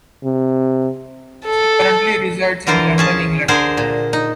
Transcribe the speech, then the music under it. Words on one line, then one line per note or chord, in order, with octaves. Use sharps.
She currently resides in London, England.
C3
A4
D3 E3 F4 A#4 C5
C#4 G#4 A5
D3 G#4 A#4 C5 G#5
A#2
D#4